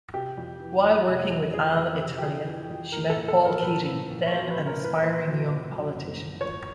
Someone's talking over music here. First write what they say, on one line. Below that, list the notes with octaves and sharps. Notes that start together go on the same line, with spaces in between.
While working with Alitalia, she met Paul Keating, then an aspiring young politician.
C3 G4
F2
E3
F2
C3
F2
E3 G#4
F2
C3
G4
F2 G#4
E3
F2
A2 A#4
A4
A#1
A4
F#3 A#4
A#1 B4
A2
A#1
C#5
F#3 C5
B4
A#1
A#4
A2
B4
A#1 C5
F#3
A#1
F#2
F#1
D3
F3 C#5